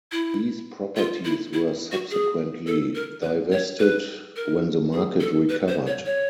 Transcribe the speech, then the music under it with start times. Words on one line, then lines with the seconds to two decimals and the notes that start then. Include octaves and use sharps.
These properties were subsequently divested when the market recovered.
0.12 E4
0.96 F4
1.25 E4
1.53 E4
1.92 F#4
2.11 G#4
2.67 A4
2.95 A#4
3.23 B4
3.52 C#5
3.79 B4
4.36 A#4
4.93 G#4
5.20 A4
5.49 B4
5.68 C5
5.87 C#5
6.06 C#5